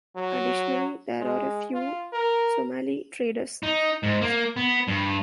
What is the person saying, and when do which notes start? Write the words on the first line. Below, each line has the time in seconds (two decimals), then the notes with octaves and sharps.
Additionally, there are a few Somali traders.
0.16 F#3
1.20 G#3
1.74 F4
2.13 A#4
3.63 D#4
4.03 G#2
4.22 A#3
4.56 B3
4.88 G2